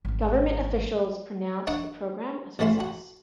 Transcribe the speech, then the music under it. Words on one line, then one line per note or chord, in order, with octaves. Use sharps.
Government officials pronounced the program a success.
G#1 E3
D4 D#4 C#5 F#5
A1 G#2 A3 C#4 E4 C6
F#4